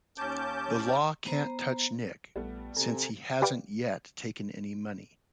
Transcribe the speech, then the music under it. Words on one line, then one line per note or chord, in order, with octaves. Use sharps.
The law can't touch Nick since he hasn't yet taken any money.
D#2 C#4 A5 D6 G6
B3 C5 A#5
A#1 G3 A3 B3
C3 A4 G#5 A#5
G4 B4 D5 F5 G5